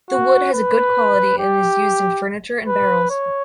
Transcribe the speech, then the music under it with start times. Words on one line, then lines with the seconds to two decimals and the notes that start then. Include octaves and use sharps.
The wood has a good quality and is used in furniture and barrels.
0.10 F#4
0.53 B4
1.39 G4
2.67 B4
3.10 C#5